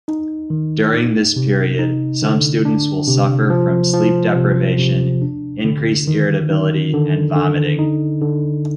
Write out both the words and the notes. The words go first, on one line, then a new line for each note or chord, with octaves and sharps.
During this period, some students will suffer from sleep deprivation, increased irritability, and vomiting.
D#4
D#3
D#4
C3
D#4
D3
D4
C3
F3
F3
C3
C3
D4
D3
D#3
D#3
D3
D3
D#4
D3